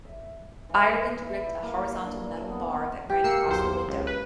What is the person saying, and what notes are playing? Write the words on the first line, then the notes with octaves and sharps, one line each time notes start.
Ireland gripped a horizontal metal bar that ran across the window.
E5
E3
E5
E4
A#3
D4
B3
G4
A#3 E6 C7 C#7
B1 E2 C5
C#2
B4